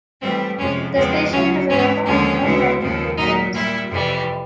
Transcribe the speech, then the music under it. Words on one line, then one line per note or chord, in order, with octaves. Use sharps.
The station has a number of long-running programs.
A2 E3 G3 C4
F2 C3 F3 G#3 C#4
E2 C#3 F3 G#3 C4
D2 C#3 F#3 C#4
G#2 E3 G#3 C#4
D#2 D3 F3 G#3 C#4
D2 C#3 E3 G#3
D#2 C#3 F3
A#2 F#3 D#4
A#2 G3 E4
F2 C3 E3 G3